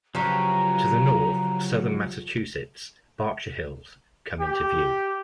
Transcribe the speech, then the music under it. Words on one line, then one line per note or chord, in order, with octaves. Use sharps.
To the north, Southern Massachusetts Berkshire Hills come into view.
C#3 F3 F#3 G4 B4 A#5 C#6
G4